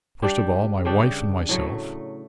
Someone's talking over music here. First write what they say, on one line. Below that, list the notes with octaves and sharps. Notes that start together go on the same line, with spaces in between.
First of all my wife and myself.
G3 D4 G4
C#3 G3 D4 G4
A2 F#3 A3